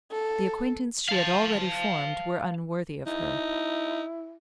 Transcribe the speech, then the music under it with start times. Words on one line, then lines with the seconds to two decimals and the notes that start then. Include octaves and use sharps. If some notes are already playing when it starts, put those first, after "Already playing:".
The acquaintance she had already formed were unworthy of her.
0.11 A4
1.09 F5 A5
3.06 D#4 E4